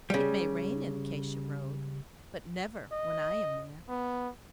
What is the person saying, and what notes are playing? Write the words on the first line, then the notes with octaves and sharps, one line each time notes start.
It may rain in Acacia Road, but never when I am there.
C#3 G3
D#5
B3